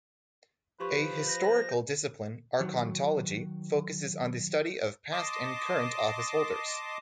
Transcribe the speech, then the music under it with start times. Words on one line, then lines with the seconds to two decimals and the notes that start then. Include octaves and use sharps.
A historical discipline, archontology, focuses on the study of past and current office holders.
0.80 F3 G4 B4 C6 C#6
1.27 C5 A#6
2.61 D#3 F#3
5.12 D#5 A5 C6 D6 D#6